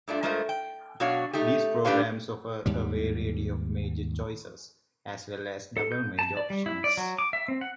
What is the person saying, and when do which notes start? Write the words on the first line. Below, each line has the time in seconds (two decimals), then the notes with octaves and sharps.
These programs offer a variety of major choices, as well as double-major options.
0.08 G2 A3 D4 F4
0.23 G2 G#3 A3 F4 A#4 C5
0.49 G5
1.00 B2 F#3 D4 F#4 C#5 F5
1.33 A3 D#4 G4
1.85 G2 D4 G4 B4 C#5 F5
2.66 D#2 G#2 G3
5.77 A4
5.92 G6
6.19 A5
6.37 D5
6.50 G3
6.66 E4
6.84 D5
6.97 F#3
7.19 D6
7.33 E5
7.48 C4
7.61 F#5